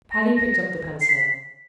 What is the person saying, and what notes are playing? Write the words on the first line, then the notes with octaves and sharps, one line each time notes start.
Patty picked up the pencil.
A#6
A#6
C7
B6